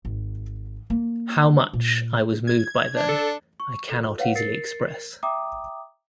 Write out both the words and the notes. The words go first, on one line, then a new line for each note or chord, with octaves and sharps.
How much I was moved by them, I cannot easily express.
G#1
A#3
A#2
G#6
D4
A4
C#6
F4 A4
B4 C#5 F5 F#5
A#4 A6 C7 C#7
E5 G5 A#5 D6 D#6